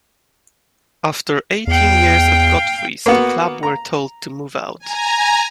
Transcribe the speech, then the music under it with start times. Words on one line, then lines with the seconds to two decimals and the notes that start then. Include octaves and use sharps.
After eighteen years at Godfrey's, the club were told to move out.
1.67 E2 F5 G5
3.06 A#3 B3 F#4
3.63 A#5
4.79 G#5 A#5